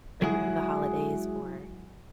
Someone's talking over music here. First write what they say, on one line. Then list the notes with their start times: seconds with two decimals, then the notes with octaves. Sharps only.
like, the holidays or
0.22 F#3 G#3 E4 F#4 G#4